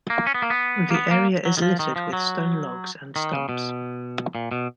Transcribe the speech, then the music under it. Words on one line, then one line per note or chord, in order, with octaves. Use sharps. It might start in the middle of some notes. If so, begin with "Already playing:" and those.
The area is littered with stone logs and stumps.
A#3
C#4
B3
A#3
B3
A#3
B3
A#3
F#3
D#3
F3
D#3
F3
F#3
D#3
C#3
B2
A#2
B2